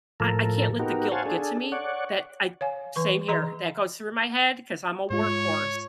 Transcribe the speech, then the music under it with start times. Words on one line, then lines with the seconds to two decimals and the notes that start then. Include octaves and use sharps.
I I can't let the guilt get to me, that I Same here, that goes through my head 'cause I'm a workhorse,
0.20 A2 F3 A4 A#4
0.79 B3 D#4 F#4 G4 A#4
1.11 C5 C#5 F5 F#5 G#5 A5
1.26 D4 G#4 A4
1.72 C#5 D5 F#5
2.61 C#5 F5 G#5
2.96 E3 B4 C#6
3.28 E3 G#4 D#5 A#5 C6
5.10 G#2 G#3 F4 C#5